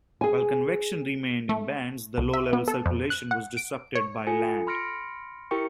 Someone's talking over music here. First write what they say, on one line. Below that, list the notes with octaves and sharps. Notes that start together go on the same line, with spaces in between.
While convection remained in bands, the low level circulation was disrupted by land.
G#4 G#5
A3
C2
E5
B3
A4
F2
F#6
F#5
D7
C#5
F4 A4 G#5 C#7
B5 C6 F6 A#6 C#7 D7
E4 G4 A#4 G5 C#6 C#7